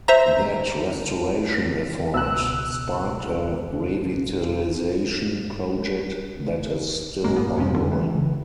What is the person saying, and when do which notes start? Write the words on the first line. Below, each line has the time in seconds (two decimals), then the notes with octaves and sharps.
That restoration effort sparked a revitalization project that is still ongoing.
0.08 C5 E5 A#5
2.14 C#2 B2 E6 F#6
7.24 G1 A#2 G#3 A#3
7.36 G2 A#3 B3
7.56 D1 F2 C3 C#4
7.75 F2 D3
7.92 E3